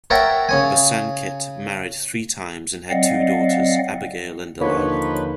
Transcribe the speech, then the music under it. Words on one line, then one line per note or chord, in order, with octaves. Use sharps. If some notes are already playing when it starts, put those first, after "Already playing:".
Bosanquet married three times and had two daughters, Abigail and Delilah.
A#4 C#5 E5 F#5 G5 A5
C#3 C#5 G#5
F#3 C4 D5 D#5 F5 F#5
D#2 D3 F3 A#3 D#4 B4 C#5